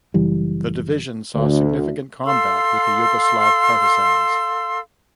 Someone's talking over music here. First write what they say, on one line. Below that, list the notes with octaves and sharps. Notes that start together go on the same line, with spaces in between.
The divisions saw significant combat with the Yugoslav Partisans.
F#1 E3 G3
D2
A4 F5 C6 E6